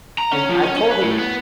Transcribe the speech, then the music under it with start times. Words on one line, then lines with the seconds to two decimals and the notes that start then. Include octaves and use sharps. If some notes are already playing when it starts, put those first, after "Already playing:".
and I told the
0.18 A#5
0.33 C#4
0.49 F3
0.63 C#4
0.77 C#4
0.91 B4
1.03 A2
1.19 B3